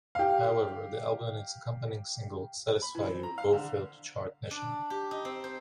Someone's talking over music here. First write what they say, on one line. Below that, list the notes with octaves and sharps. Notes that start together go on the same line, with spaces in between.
However, the album and its accompanying single "Satisfy You" both failed to chart nationally.
G4 F5
B5
E3
C4
A#5
F5
D3
D4
G4
D#4
C4
C5